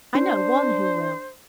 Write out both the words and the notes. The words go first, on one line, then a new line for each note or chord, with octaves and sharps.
I know one who will.
C#4 D4 C5